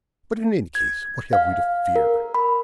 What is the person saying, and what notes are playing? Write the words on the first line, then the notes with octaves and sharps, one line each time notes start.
But in any case what have we to fear?
G#6
F5
A#4
B5